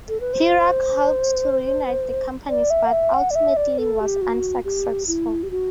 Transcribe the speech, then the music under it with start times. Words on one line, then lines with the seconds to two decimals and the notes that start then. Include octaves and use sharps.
Hurok hoped to reunite the companies, but ultimately was unsuccessful.
0.09 A4
0.20 B4
0.33 C5
2.49 D5
2.70 E5
2.86 F#5
2.92 E5
3.13 F#5
3.31 D5
3.35 E5
3.57 D5
3.78 A4
4.01 G4
4.21 F#4
4.65 G4
5.08 E4
5.43 G4
5.51 F#4